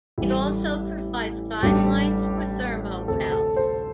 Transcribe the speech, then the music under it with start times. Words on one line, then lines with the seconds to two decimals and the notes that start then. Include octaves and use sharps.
It also provides guidelines for thermowells.
0.18 A1 A2 E3 G3 E4
1.62 A1 A2 G3 D4 G4
3.08 D2 C3 A3 C4 A4
3.32 A4
3.57 C5